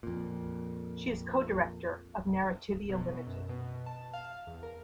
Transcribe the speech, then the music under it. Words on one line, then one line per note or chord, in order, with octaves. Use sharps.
She is co-director of Narrativia Limited.
F2 A#2
B2
F#2
B2
A5
F5
E2
A#4